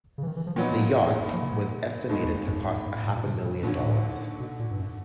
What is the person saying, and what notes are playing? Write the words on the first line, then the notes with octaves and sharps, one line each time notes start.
The yacht was estimated to cost a half a million dollars.
C#3
E3
D#3
E3
F3
A#2 E3 F#3 B3 D#4
F3
F3
C3
G#2
D#2 D#3 G#3 B3 D#4
E2
F2
F#2
G2
G2
G#2
A2
A#2
C3
B2
D#2 A#2 D3 F#3
A2
B2
A#2
G2
F#2